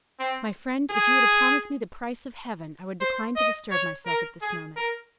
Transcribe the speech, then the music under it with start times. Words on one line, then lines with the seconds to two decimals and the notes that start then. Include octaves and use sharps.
"My friend, if you were to promise me the price of heaven, I would decline to disturb myself at this moment."
0.20 C4
0.90 G#4
3.01 C5
3.36 D#5
3.71 C#5
4.06 A#4
4.42 G#4
4.76 A#4